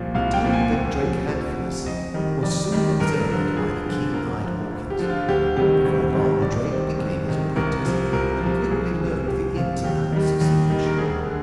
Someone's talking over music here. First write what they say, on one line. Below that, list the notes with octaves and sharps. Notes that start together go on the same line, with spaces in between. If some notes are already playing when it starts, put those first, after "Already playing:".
The talent that Drake had for the sea was soon observed by the keen-eyed Hawkins, and before long Drake became his apprentice, and quickly learned the ins and outs of seamanship.
Already playing: C2 A#2 F3 F5
C2 F5
G5
A#2 F3
G#5
D2
C3 F3
D2
C3 F3
F2 D#5
D#3 G3
F2 D5
D#3 G3
G2 A#4
D3 F3
G2 G#4
D3 F3
D2 A#4
D3 F3
D2
G4
D3 F3
F4
D2 G4
C3 D#3 G3 G4
D2
C3 D#3 G3
C2 D5
C3 D#3 C5
C2
C3 D#3
C2 A#4
C3 F3
C2 A#4
C3 F3
C2 G#4
C3 F3
C2 G4
C3 F3 F4
D#2 G4
D#3 G3
D#2
D#3 G3
A#4
D2 G#4
D3